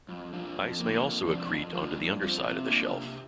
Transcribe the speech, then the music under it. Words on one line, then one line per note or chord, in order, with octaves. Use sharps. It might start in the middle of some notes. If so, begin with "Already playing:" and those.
Ice may also accrete onto the underside of the shelf.
F2
F3 D4 F4
F2
D3 A#3
F2
C3 F3 D4
F2
D3 F3 D4 F4
G2
F3 C4 F4
C3
A#3 D4 F4
C3